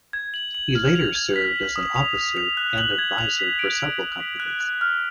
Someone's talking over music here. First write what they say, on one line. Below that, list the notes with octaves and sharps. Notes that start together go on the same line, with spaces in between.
He later served as an officer and advisor for several companies.
G#6
F#7
F#7
F6
F7
G#6
B6
F#7
D#6
F7
F7
F7
F#6
F#7
G#6
F7
B6
D7
D7
B6
B6
F#6
F#6
F6